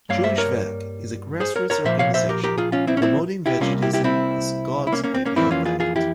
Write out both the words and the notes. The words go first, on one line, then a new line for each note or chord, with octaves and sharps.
Jewish Veg is a grassroots organization promoting veganism as "God's ideal diet".
G2 G3 A#3 C#5 F5
C5 E5
A#4 C#5
G#4 C5
A#4 C#5
A#4 C#5
A#2 F3 A#3 C5 E5
C#5 F5
C5 E5
G4 A#4
G4 A#4
F4 G#4
C#4 F4
C4 E4
C#4
C4 E4
E4 G4
C2 C3 G3 A#3 C#4 F4
E4 G4
E4 G4
C4 E4
E4
A#3 C#4
A#3 C#4
C4
A#3 C#4
F2 E3 A#3 C4 E4
C#4 F4
F4 G#4
F4 G#4
E4 G4